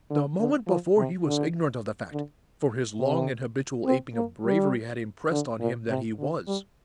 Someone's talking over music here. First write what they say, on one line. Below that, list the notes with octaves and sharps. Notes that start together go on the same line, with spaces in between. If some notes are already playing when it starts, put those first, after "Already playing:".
The moment before he was ignorant of the fact, for his long and habitual aping of bravery had impressed on him that he was.
D3
D3
F3
C3
D3
D3
C3
C4
A#3
G3
D3
A#2
C3
D3
G3